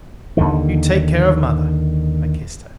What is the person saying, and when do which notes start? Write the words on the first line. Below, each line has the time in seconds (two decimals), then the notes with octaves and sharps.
"You take care of Mother." I kissed her.
0.37 D#2 D3 D#3